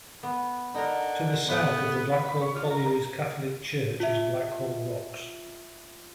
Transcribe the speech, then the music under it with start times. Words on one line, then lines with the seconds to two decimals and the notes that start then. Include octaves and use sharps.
To the south of the Blackhall Colliery's Catholic church is Blackhall Rocks.
0.23 B3
0.74 D3 D#4 A#4
1.48 A2 B3
2.12 B4
2.25 B5
2.41 C#5
2.55 F4
2.70 A#4
4.00 F4 E5